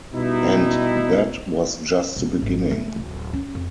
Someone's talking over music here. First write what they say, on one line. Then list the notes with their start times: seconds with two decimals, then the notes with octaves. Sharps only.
And that was just the beginning.
0.13 B2 G3 D#4 E4
2.16 E1
2.42 G#1
2.71 A3
2.96 D1
3.33 C#4
3.55 F2